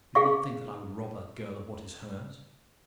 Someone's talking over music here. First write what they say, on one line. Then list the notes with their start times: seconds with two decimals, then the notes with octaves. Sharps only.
You do not think that I would rob that girl of what is hers.
0.15 G#4 F5 C#6